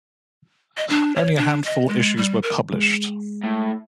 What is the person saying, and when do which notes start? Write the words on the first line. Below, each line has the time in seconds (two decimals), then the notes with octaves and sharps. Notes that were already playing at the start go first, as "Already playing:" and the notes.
Only a handful issues were published.
0.77 D#5
0.90 D4
1.16 C#5
1.37 D4
1.65 D#5
1.88 G#3
2.17 G3
2.43 A#4
2.73 G#3
3.44 A2